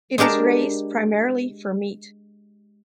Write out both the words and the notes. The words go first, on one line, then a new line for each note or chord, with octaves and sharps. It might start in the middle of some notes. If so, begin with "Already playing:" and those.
It is raised primarily for meat.
G#3 D4 G4 A#4 A5